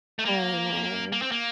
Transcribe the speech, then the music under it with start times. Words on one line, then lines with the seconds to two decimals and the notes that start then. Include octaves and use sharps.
Oh, no.
0.19 A3
0.25 A#3
1.12 A#3
1.22 C4
1.32 A#3